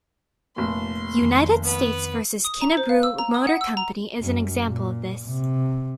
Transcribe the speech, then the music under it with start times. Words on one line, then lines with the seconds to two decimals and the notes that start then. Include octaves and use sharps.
"United States versus Kinnebrew Motor Company" is an example of this.
0.56 F1 A#2 C6
1.22 F2 D#3
1.63 B3 B4
2.45 D#6
2.62 A#5
2.77 C5
2.89 F5
3.03 E6
3.19 A#5
3.34 D#6
3.47 F#5
3.61 E6
3.77 A#5
4.19 F#2
4.66 A#2
5.26 C3